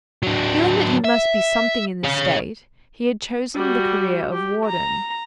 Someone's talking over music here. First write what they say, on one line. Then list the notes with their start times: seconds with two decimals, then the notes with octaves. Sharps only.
Feeling that he must be something in the State, he had chosen the career of warden.
0.23 F#3 D4
1.04 E5
2.04 C#5 F5
3.55 G3 F#4
4.33 G4
4.66 A#5